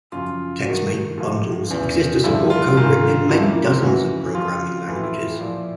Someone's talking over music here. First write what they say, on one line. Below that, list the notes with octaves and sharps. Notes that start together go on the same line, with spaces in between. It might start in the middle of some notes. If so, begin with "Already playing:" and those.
TextMate bundles exist to support code written in many dozens of programming languages.
F#2 C#3 F3 F4
G2 D#3 F#4
A2 F3
E2 C#3 E3
G2 D3 F3 E4
F4
G#2 D#3 F4
F2 C#3 F3 E4
A#3
C4
F2 C#3 E3 F#4
F2 C#3 F3 F4
A2 E3 E4
F4
E4
A#2 F3